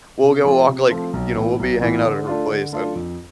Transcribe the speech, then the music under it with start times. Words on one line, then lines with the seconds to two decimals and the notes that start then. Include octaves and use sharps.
we'll go walk, like, you know, we'll be hanging out at her place, and
0.22 C3
0.44 F3 A3 C4 F4
0.68 C3
0.90 F3 A3 C4 F4
1.13 B1
1.36 A2 E3 B3
1.59 B1
1.81 A2 E3 B3
2.05 D3
2.27 A3 D4 F4
2.50 D3
2.73 A3 D4 F4
2.95 F2